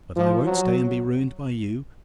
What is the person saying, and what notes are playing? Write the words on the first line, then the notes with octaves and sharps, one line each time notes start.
But I won't stay and be ruined by you.
F3
F#3